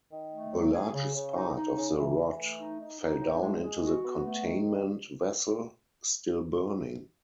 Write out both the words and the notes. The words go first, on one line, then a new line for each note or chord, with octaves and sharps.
The largest part of the rod fell down into the containment vessel, still burning.
D#3
A3
F#3
G#4
C#3
C#3
D#4
D#4
C#3
E3
E3
A3
D#4
D#4
D#4
A2
G#3
G#3
F#4
B3
A3
D#3